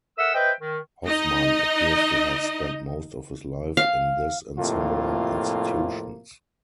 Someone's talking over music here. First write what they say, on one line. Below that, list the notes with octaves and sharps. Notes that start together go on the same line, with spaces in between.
Hofmann appears to have spent most of his life in this and similar institutions.
A4 A#4 E5 F#5 E6
B4 C5 D#5 E5 G5
D#3
D#4 D#5
F5
F2 A2 C3 A#3 F4